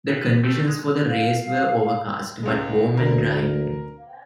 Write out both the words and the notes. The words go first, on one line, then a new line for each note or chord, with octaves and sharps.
The conditions for the race were overcast, but warm and dry.
F#4 G4 A4 B4 E5 F5
B4 A5
A3 C4 G4 A4 B4 C5
G#3
F5
C#2 G#3
D2 A#4